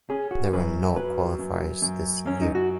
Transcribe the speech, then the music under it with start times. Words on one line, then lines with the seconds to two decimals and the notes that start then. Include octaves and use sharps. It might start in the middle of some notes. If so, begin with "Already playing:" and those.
There were no qualifiers this year.
0.10 C#4 G#4
0.31 F#4
0.53 F#2 B4
0.96 F#3 B4
1.39 F#2
1.82 F#2
2.26 F#2 C#4
2.41 D#4
2.55 F#4